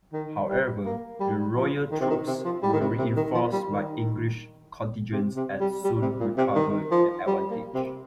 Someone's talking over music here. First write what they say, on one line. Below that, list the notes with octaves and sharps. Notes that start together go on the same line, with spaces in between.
However, the royal troops were reinforced by English contingents and soon recovered the advantage.
D#3
G3
A#3
G3
F3
D#3
C3
D#3
C3
F3
G3
D#3
C3
C3
D#3
F3
G3
D#3
C3
C3
G3
G3
C3
A#2
C3
D#3
F3
G3
A#3
C3